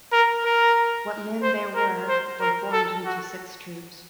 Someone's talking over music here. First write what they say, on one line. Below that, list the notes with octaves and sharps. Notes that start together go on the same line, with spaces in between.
What men there were, were formed into six troops.
A#4
A#4
C5
A#4
C5
A#4
A4
F#4